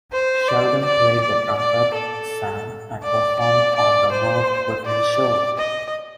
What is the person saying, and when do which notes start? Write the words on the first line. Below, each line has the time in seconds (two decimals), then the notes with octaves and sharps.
Sheldon played the trumpet, sang, and performed on "The Merv Griffin Show".
0.12 C5
0.48 D5
0.85 D5
1.21 D5
1.58 D5
1.94 A4
3.03 D5
3.39 D5
3.75 D5
4.12 C5
4.85 D5
5.57 D#5